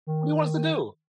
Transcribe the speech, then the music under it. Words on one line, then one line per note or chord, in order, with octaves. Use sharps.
What do you want us to do?
D#3